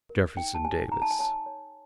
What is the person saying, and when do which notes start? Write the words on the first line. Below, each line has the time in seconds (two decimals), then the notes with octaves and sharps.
"Jefferson Davis."
0.10 A#4
0.37 D#4 G5
0.55 A5
0.64 G4 G#5
0.91 D#4 A#5
1.02 A5
1.11 G#5
1.19 C#5 A5
1.46 C#5